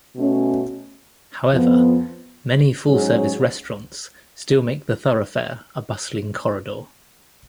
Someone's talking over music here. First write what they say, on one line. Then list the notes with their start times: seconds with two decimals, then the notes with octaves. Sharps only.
However, many full-service restaurants still make the thoroughfare a bustling corridor.
0.16 B2 A3 C#4
1.52 F2 F3 B3 F4
2.87 G#2 F#3 C#4 G#4